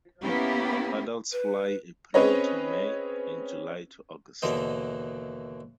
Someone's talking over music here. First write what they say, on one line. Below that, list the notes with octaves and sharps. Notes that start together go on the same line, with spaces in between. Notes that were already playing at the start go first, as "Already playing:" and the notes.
Adults fly April to May and July to August.
A#3 B3 C#4 E4 G4
B4
C4 C#4 G#4 B4 C#5 D#5
D#2 B2 D3 E3 D#5